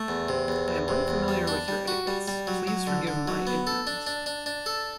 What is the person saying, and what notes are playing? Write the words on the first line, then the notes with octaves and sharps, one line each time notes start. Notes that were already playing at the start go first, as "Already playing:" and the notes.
I am unfamiliar with your etiquettes, please forgive my ignorance.
Already playing: A3
E2
C3
E2
E2
C3
E2
G3
D4
G3
F#4
G3
G3
F#3
F#3
D3
D3
F#3
B3
A4
D4
D4
D4
D4
A4